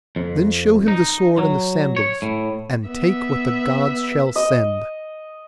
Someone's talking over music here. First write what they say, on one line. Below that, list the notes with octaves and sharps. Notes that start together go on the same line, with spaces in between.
Then show him the sword and the sandals, and take what the Gods shall send.'
F2
D#4
F#3
C#5
A2
B3 E5
D#5